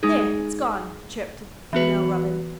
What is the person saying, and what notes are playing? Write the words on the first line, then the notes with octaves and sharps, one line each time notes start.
"There, it's gone!" chirped the female robin.
G#3 D#4 G#4
E3 B3 F#4 B4